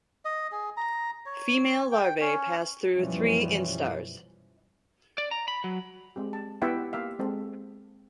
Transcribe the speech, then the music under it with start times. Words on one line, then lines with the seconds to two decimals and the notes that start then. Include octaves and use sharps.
Female larvae pass through three instars.
0.25 D#5
0.52 G#4
0.77 A#5
1.26 C#5
1.92 G5
2.21 C#4
2.97 F#2 B2 E3 F3 G3 C#4
5.18 D5
5.31 A#5
5.48 B5
5.64 F#3
6.16 G#3 C4 G4
6.33 A5
6.62 B3 E4 G4 E5 F#5 G5
6.93 A#3 G4 E5 F5
7.19 G#3 C4 A4